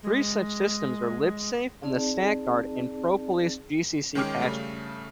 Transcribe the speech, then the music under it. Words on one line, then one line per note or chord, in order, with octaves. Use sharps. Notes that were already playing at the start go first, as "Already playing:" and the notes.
Three such systems are Libsafe, and the "StackGuard" and "ProPolice" gcc patches.
G#3
C4 D#4 G#4 D5 A5
D#3 G#3 C#4 G5 D6 F6
C#3 G3 A3